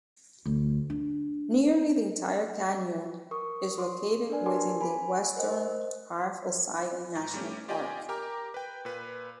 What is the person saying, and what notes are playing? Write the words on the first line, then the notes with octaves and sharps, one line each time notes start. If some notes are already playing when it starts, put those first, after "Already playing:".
Nearly the entire canyon is located within the western half of Zion National Park.
D2
D4
A#4 C#6 D#6
C6 D6
D4 A#4 B4 D5 G#5
G4 A#4 G#5 A5 C6 D6
G#5 B5
A#4 C5 D#5
G#2 A#5
G3 A3 C#4 G4
F4 G4 D5 D#5 G5 G#5
G4 A#4 G5 A#5 D6
B4 G5
A#2 B4